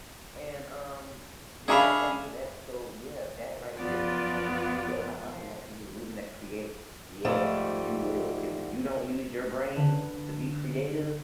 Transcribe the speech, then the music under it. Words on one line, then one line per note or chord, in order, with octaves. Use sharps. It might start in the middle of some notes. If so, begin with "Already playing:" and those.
And, um, th tha that's what that so, yeah, that right there, what you just said about Michael Jackson, just losing that creat yes, you will, 'cause if you don't use your brain to be creative,
C#4 D4 G#4 E5 F5 B5
F#2 F3 B3 F4 D5
F3
G#2 F3 G3 A3
D3 B4